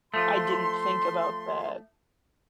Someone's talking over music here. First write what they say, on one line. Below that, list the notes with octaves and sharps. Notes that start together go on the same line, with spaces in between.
I didn't think about that.
F3 A3 C6